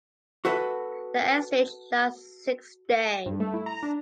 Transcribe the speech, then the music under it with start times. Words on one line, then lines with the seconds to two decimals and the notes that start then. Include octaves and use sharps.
The egg stage lasts six days.
0.45 F#4 A4 B4 E5
3.26 G2
3.40 A3
3.54 E4
3.66 A#5
3.83 D4